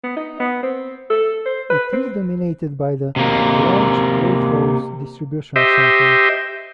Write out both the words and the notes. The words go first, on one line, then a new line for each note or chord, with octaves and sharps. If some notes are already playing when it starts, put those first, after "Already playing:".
It is dominated by the large Waitrose distribution centre.
B3
D#4
B3
C4
A4
C5
B4
C4
C3 A#3
G4 C5 D#5 E5